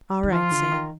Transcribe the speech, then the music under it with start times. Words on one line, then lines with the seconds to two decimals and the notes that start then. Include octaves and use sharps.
"All right, Sam."
0.23 D#3
0.32 F3 F4
0.51 D3
0.71 D#3